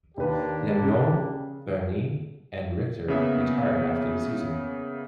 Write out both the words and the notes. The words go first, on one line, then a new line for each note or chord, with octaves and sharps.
Lemieux, Burnie and Richter retired after the season.
D#2 A#3 D4 G4 B4
C#3
C#3 A#3 B3 E5